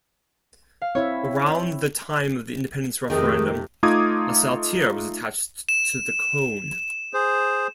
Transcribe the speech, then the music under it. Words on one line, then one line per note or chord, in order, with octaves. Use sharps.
Around the time of the Independence Referendum, a saltire was attached to the cone.
F5
C4 E4 C#5 E5
F2 C3 D#3 A3 C4 D#4 G#4
A3 D#4 F4 D6 D#6 G#6
E7
G#4 C5